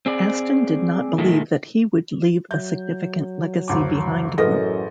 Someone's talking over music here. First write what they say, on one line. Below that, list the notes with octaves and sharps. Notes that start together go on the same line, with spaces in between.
Aston did not believe that he would leave a significant legacy behind him.
C4 G#4 D5
A#2 D#3 G#3 A3
F#3 E5 G6
F#1 D2 D6
A1 F#2 G#4 A4 B4 D#5 A#6